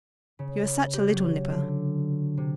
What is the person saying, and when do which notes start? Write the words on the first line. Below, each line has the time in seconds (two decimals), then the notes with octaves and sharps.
You are such a little nipper.
0.39 C#3
0.94 G4
1.12 F#3
1.50 D3
2.37 C3